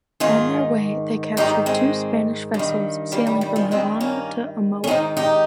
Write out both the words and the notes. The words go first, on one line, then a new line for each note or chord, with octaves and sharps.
On their way they captured two Spanish vessels sailing from Havana to Omoa.
G#2 D#3 F4 G#4
G#2 D#3 D#4 G4
G#3 C4
G2
D#3
G3 A#3
G3
G3
F3 G#3
G2 D#3 G#3 C4
A#3 C#4
C#4
G#2 D#3 C4 D#4
D#4 G4